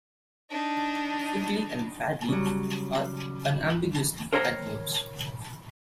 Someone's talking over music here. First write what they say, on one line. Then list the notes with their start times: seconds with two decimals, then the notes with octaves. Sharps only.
"Quickly" and "badly" are unambiguously adverbs.
0.50 D4 D#4
2.29 C#3 F#3 G3
4.33 A#4 C5 C#5 G5 A#5